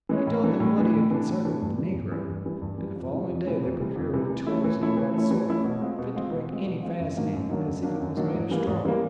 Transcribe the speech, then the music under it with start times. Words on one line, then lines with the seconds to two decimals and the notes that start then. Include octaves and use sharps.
He told them what he had concerted with the negro, and the following day they procured tools of the right sort, fit to break any fastening as if it was made of straw.
0.09 E3 G#3 C#4
0.27 A2
0.44 E3 A3 D4
0.60 A2
0.77 E3 A3 D4
0.94 A2
1.11 E3 A3 D4
1.28 A2
1.44 E3 A3 D4
1.62 G2
1.78 E3 G3
1.94 G2
2.12 E3 G3
2.28 G2
2.45 E3 G3
2.62 G2
2.78 E3 G3
2.96 F2
3.13 C3 E3 G3
3.29 F2
3.46 C3 E3 G3
3.63 F2
3.80 C3 E3 G3
3.96 F2
4.13 C3 E3 G3
4.30 E3
4.47 A3 C#4 E4
4.64 E3
4.81 A3 C#4 E4
4.97 E3
5.14 A3 C#4 E4
5.31 E3
5.48 A3 C#4 E4
5.64 B2
5.81 G#3 C4 F4
5.99 B2
6.15 G#3 C4 F4
6.31 B2
6.49 G#3 C4 F4
6.66 B2
6.83 G#3 C4 F4
6.99 F#2
7.16 D#3 F#3 A#3 D4
7.33 F#2
7.49 D#3 F#3 A#3 D4
7.67 F#2
7.83 D#3 F#3 A#3 D4
8.00 F#2
8.17 D#3 F#3 A#3 D4
8.34 G#2
8.51 E3 G3 A#3
8.67 G#2
8.85 E3 G3 A#3